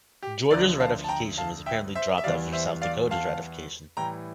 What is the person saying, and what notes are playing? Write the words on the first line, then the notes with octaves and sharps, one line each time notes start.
Georgia's ratification was apparently dropped after South Dakota's ratification.
G4
D2 D3 F3 A#4 D5
F5 A5
A5
G5 A#5
F5 A5
E5 G5
C5 E5
E5
E2 E3 G3 D5 F5
C5 E5
D5 F5
F5 A5
A2 E3 G3 G5 A#5